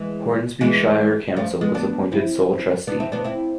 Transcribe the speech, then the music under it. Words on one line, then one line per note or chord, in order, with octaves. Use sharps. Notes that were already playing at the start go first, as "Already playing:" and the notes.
Hornsby Shire Council was appointed sole trustee.
Already playing: E3 G#3
E3 G#3
F3 A3
G#3 B3
B3 D4
C4 E4
B3 D4
C4 E4
B3 D4
C4 E4